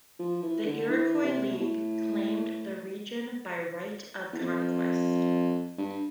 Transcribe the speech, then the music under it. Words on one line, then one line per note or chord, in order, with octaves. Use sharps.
The Iroquois League claimed the region by right of conquest.
F3
E3
D3
E3
C3
B2
A2
E2
F2
G2